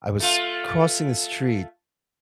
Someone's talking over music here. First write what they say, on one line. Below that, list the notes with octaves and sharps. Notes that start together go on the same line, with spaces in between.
I was crossing the street
A3 F4